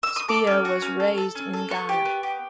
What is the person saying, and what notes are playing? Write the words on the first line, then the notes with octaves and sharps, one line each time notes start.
Spio was raised in Ghana.
E6
D#6
A4 D6
C#4
F#4
C#4
A4
A4
C#4
A4
B3 C#6
G4
B3
G4